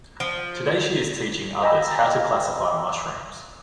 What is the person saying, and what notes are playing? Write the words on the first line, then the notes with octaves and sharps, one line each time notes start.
Today she is teaching others how to classify mushrooms.
F3
D#5 G5 G#5 A#5 B5 E6